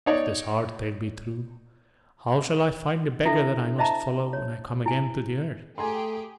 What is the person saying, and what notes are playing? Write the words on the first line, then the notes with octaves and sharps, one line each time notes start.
"If this hard tale be true, how shall I find the beggar that I must follow when I come again to the earth?"
D#4 C#5 D5
D4 E4 A4 E5
C5 D#5 E5 A5 A#5
C#5
E4 G#5
A3 G4 G#4 G#5 A#5 C6